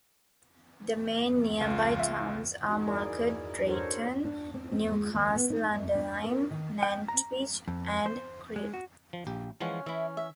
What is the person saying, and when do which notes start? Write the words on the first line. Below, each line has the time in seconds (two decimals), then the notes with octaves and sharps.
The main nearby towns are Market Drayton, Newcastle-under-Lyme, Nantwich and Crewe.
1.61 C#2 F4 F5
1.99 E5 F5
2.69 D#4 F#4
2.87 E4 G#4 A#4 D5
3.67 D4 F#4 A4 A#4 C5 C#5
4.25 D4
4.54 C4
4.71 C4
4.92 G#3
5.13 D#2
5.36 B3
5.50 D#4
5.75 F#2
5.95 D4
6.24 A#4
6.51 D#3
6.83 G5
7.08 A#5
7.68 F2
8.06 C5
8.56 G#3
8.74 F#4
9.13 F3
9.27 A#1 G4
9.61 E3 F3 G#3 C#4 F4 F#5
9.86 E3 E4 E5
10.17 E5